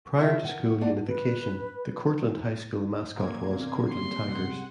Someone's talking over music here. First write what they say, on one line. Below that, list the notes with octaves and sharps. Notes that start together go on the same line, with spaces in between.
Prior to school unification, the Courtland High School mascot was Courtland Tigers.
C#3 E4 F4 E5 A5
A#4 F#5
A#3 F4 D5 F#5 A5
B4
A#2 A#3 F#5 A#5 C6 G#6
D3 B3 C4
G3 A#3 G4 C6
C2 G#2 C3 F#5